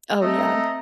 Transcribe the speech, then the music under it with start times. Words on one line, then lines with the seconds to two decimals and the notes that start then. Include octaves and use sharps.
Oh, yeah.
0.21 A3 C4 D#5 A#5